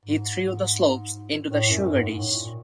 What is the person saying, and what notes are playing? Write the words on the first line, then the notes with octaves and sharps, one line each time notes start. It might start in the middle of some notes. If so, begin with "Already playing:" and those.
He threw the slops into the sugar-dish.
G#2
A2
F#2
G#2
A2
A#2